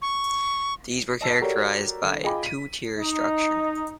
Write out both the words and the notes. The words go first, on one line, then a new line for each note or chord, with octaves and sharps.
These were characterized by a two-tier structure.
C#6
D#5 A5 E6 C7
F#4 G4 A4 A#4 C#5 D5
D3
F4 G#4 D#5 G5 B5 D6
B6 D#7
D#4